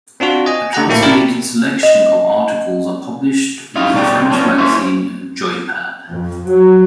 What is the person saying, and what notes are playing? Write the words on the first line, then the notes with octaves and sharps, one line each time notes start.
A translated selection of articles are published with the French magazine "Joypad".
C4 D4 F4 F#4
D#5 G#5
A3 G4 F#5 A#5
A#1 A2 A#3 E4 G5 C#6
D4 E4 G4 A#4 A5
D#5
D#4 E4 G4 F5
F2 B2 D3 G3 D5 G5
D3 C4
F3 B3 C#4 D4
C#4
A#3 C#4 E4 C5
F2
F#3